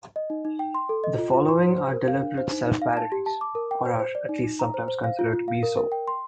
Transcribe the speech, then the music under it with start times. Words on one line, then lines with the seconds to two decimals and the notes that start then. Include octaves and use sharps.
The following are deliberate self-parodies or are at least sometimes considered to be so.
0.16 D#5
0.30 D#4
0.45 D#4
0.59 G5
0.75 C6
0.89 A4
1.04 D#5
1.18 F4
1.34 F4
1.48 C6
1.63 C5
1.78 C5
1.93 A#4
2.08 F5
2.22 D4
2.38 C5
2.52 D#4
2.67 D#4
2.82 F5
2.97 A5
3.12 G4
3.26 A5
3.41 D6
3.55 A#4
3.71 G5
3.85 C5
4.00 C5
4.15 D5
4.29 D#4
4.44 D#4
4.59 A#5
4.74 C5
4.88 C5
5.04 F5
5.19 F4
5.33 F4
5.48 F5
5.63 A#4
5.77 A#4
5.92 G5
6.08 C6